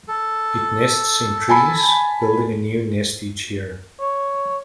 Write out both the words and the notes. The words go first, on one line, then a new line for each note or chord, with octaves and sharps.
It nests in trees, building a new nest each year.
A4
G#5 A5 B5
C#5